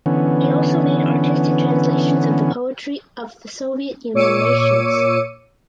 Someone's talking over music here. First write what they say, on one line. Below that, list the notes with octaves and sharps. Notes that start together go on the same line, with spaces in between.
He also made artistic translations of the poetry of the Soviet Union nations.
D3 E3 B3 C#4
A#2 C#5 D6 E6 C#7 D#7